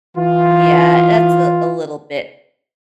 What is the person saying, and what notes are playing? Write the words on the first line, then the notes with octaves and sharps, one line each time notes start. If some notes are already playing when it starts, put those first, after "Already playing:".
Yeah, that's a a little bit,
E3 F4